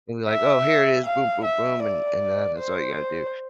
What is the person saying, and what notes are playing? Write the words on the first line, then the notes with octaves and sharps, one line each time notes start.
and be like, "Oh, here it is. Boom, boom, boom, and and that that's all you gotta do."
E5
F5
E5
D5
C5